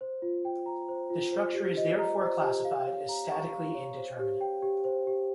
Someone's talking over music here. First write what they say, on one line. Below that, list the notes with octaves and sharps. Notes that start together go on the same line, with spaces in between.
The structure is therefore classified as "statically indeterminate".
C5
F4
G5
A#5
C5
F4
C5
G4
D#5
A#5
C5
G4
F5
C#5
A#5
C#6
F5
C#5
C5
G4
G5
G4
C5
G4